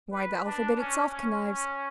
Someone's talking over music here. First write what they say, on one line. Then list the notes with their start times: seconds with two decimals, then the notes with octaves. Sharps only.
Why, the alphabet itself connives.
0.11 B4
0.45 D4
0.78 C#4
1.11 C#4
1.45 C#4